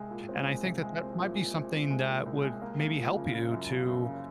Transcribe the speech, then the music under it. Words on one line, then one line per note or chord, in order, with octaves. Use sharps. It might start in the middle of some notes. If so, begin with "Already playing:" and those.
And I think that that might be something that would maybe help you to
Already playing: C2 G#3
A#2
C4
G#3
C2
G#3
C4
A#2
G#3
C4
C4
G#3
A#2
C2
G#3
A#3
A#3
F3
C#3
C#3
F#2
C#3
F#2
C#3